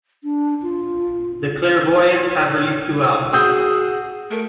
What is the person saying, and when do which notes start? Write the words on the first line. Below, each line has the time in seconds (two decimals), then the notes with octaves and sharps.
The Clare Voyants have released two albums.
0.24 D4
0.62 F4
1.95 C#5
3.33 F#4 G#4 D#6 E6 G6
4.31 A3 A#4